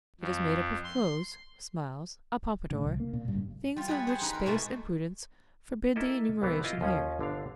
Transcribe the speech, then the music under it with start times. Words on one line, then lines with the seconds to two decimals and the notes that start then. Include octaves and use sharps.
It is made up of clothes, smiles, a pompadour, things of which space and prudence forbid the enumeration here.
0.20 F2
0.84 C6
2.71 A2 D3
2.84 C2
3.00 A#3
3.13 A#2
3.28 F#1 G2
3.76 G3 F4
3.88 G3 G#4 B4 F#5
4.07 G#4 C5
4.21 D#4 B4 B5
4.33 A#4 B4
4.46 B2 G#3 A3
5.96 A#3 E4 A4 D#5
6.42 C2 E3 B3 C4
6.64 E4 F4 D#5 F5
6.81 D#2 F3 C#4
7.19 G1 D3 D4 F5